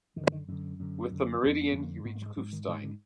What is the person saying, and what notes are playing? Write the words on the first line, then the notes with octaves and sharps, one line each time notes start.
With the meridian you reach Kufstein.
F#2 D3 D#3
D#3
F#2 D3
F#2 D3
F#2 D3
F2 D3 A#3
B3
A#3
F2 D3 B3
A#3
G#2 B3
A#3
F#3
G#3
G#2 F#3
D#3
G#2 D#3
D3